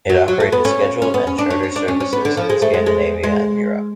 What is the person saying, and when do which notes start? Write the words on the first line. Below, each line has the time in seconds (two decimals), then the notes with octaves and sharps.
It operated scheduled and charter services in Scandinavia and Europe.
0.10 F#3
0.28 F#3
0.40 A3
0.52 B3
0.65 C#4
1.02 C#4
1.14 B3
1.27 C#4
1.38 D4
1.50 C#4
1.63 C#4
1.76 D4
1.88 C#4
2.00 C#4
2.13 B3
2.25 D3
2.37 F3
2.50 G#3
2.62 A3
2.74 G#3
2.86 G#3
3.24 G#3